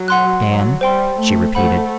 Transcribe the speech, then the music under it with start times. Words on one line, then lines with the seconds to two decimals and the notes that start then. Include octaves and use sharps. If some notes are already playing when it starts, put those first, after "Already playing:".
"Dan?" she repeated.
Already playing: F#3
0.08 F#5 C6 F#6
0.45 F#3
0.81 G3 C5 G5 C6
1.19 A3
1.55 A3 C5 F#5 B5